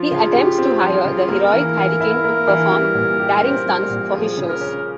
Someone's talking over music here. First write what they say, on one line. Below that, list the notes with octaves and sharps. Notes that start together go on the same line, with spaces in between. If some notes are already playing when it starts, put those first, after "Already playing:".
He attempts to hire the heroic Hurricane to perform daring stunts for his shows.
Already playing: F3 F4
C#3
G4
C4
F3
C#3
A#3 A#4
E3
E3
E4
A#3
E3
G3
A#2
G4
C4
G3
A#2
F3 G#4
C#3
A#4
C#4